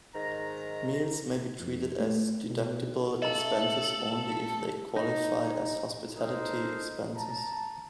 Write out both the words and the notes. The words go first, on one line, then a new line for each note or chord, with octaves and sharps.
Meals may be treated as deductible expenses only if they qualify as hospitality expenses.
G#2 D#3 A#5
F2
A3
B2
A2 C#3 A3 A4 D#5 A#5 F#7
D#4
D#4 A4 A#4 C5
A5 A#5